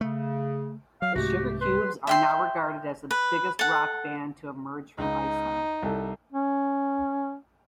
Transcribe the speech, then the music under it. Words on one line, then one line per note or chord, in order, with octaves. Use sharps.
The Sugarcubes are now regarded as the biggest rock band to emerge from Iceland.
C#3 A3
F#3 F5
C2 G#2 A3 F#4 G4
B4 C6
E5 G5 C6
B4
A4 F#5
C#2 D#4
C2 A4
C#4